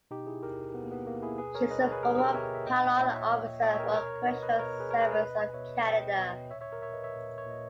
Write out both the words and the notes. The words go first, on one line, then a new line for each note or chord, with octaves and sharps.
She is a former parole officer for Correctional Service of Canada.
B2 D#4 G4
E4 G#4
B2 G4 A#4
B2 B3
A#3
B3
B2 A#3
E4 G#4
B2 G#4 B4
A#4 C#5
B2 B4 D#5
A#4 C#5
G#4 B4
B2 G4 A#4
G4 A#4
G5
B2 C#5 E5
E5
A#2 D#5 G5
A#2 C#5 E5
C#5 E5
A#2
A#2 D#5 G5
C#5 E5
A#4
G#4 B4
B2 A#4 C#5
B2 B4 D#5
B4 D#5
B2 A#4 C#5
G#4 B4
B2 A#4 C#5
G#4 B4
B4 D#5
B2
B2 C#5 E5
B2 D#5 G5
B2
A#2 C#5 E5
C#5 E5
A#4 C#5
A#2 C#5 E5
B4 D#5
C#5 E5
A#2
C#5
A#2 D#5